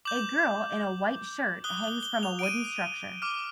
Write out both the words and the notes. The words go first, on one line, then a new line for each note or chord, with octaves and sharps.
A girl in a white shirt hangs from a wooden structure.
D6 G6 F#7
D#6 F#6 G7
G7
G7
F7
D7
D#7
D6 F6